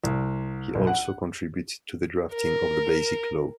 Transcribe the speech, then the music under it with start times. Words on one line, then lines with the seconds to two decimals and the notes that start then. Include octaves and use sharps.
He also contributed to the drafting of the Basic Law.
0.04 C2
0.75 B1
0.87 F#5
2.33 A#4